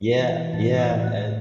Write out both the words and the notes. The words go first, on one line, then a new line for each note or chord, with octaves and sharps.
Yeah, yeah, and
E3
A2 A5
E5
C#5
A2 E5
F#5